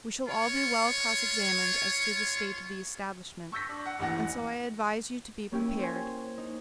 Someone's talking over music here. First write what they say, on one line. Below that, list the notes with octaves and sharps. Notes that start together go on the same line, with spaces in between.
We shall all be well cross-examined as to the state of the establishment; and so I advise you to be prepared.
F4 C#5
C#6 E6 G6 A#6 B6
D4
F#5
A1 D#2 E3 F#5 A#6
A#3 C#4 E4 G4
C5 C#5 G#5
D#4